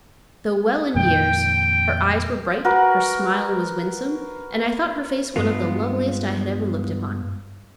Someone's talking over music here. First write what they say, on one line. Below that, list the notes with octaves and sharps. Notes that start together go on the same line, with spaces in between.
Though well in years, her eyes were bright; her smile was winsome, and I thought her face one of the loveliest I had ever looked upon.
F2 A#2 D#3 G5
F#4 A#4 B4 F#5
G2 G#3 B3 F4